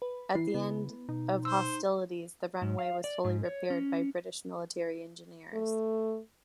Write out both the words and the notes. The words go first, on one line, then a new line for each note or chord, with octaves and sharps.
At the end of hostilities the runway was fully repaired by British military engineers.
B4
E3 E4 C7
C#3 B3
B2 D#4
C5 E6
G#2
F5
D5
G#2
C#5
C#4
A3